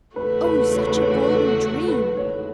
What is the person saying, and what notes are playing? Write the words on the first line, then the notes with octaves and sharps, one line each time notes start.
Oh, such a golden dream!
E2 C#3 A3 F#4 B4
B4
C#5
B4
C#5
B4
A4
B4
C#5